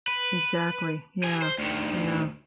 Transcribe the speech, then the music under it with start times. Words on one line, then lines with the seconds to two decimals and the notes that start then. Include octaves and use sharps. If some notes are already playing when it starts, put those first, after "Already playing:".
Exactly. Yeah. Yeah.
0.08 B4
1.24 G4 G#5
1.42 C5
1.59 D2 D#3